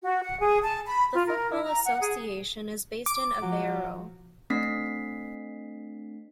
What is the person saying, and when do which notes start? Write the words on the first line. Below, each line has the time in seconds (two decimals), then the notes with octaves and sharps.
The Football Association is based in Aveiro.
0.03 F#4
0.23 F#5
0.40 G#4
0.64 A5
0.87 B5
1.13 F4
1.27 A#4
1.51 E4
1.64 A#5
1.85 F#5
2.00 G#4
3.06 D6
3.42 F3 F#3
4.50 A3 C4 D4 B6 C7